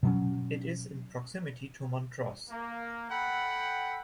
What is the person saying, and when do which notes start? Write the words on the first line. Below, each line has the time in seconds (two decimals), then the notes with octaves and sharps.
It is in proximity to Montrose.
0.03 B2 F#3 C#4
2.50 A#3
3.10 A4 F#5 G5 B5